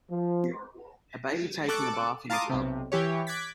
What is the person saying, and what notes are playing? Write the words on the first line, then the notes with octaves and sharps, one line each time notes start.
A baby taking a bath in a tub.
F3
A4 A5 C#6 D6 E6 F#6
F5 A5 A#5 C6 D6 D#6
B1 C3
E3 G4 C#5
D6 F#6 G#6 A6 B6